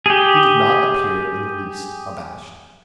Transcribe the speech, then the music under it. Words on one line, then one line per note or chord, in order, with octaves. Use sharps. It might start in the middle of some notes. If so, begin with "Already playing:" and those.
He did not appear in the least abashed.
G4 G#4